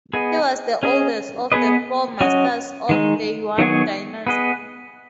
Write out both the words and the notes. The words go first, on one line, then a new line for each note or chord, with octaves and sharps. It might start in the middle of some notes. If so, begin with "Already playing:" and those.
He was the oldest of the Four Masters of the Yuan Dynasty.
B3 G#4 D#5
C#4 G#4 D#5
B3 G#4 B4 D#5
F#3 C#4 F#4 D#5
D#3 G#3 D#4
D#3 F#3 B3 G#4 C#5
B3 G#4 B4 D#5